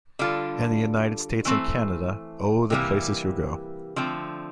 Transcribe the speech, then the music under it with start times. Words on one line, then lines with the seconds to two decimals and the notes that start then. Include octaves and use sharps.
In the United States and Canada, Oh, the Places You'll Go!
0.19 D3 G3 D4 F4 A4
1.45 E3 A3 C4
2.70 C3 E3 G3 A#3
3.96 D3 F3 A3 C4